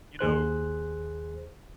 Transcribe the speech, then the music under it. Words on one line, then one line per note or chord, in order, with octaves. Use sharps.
you know
D#2 G#4 C5 F#6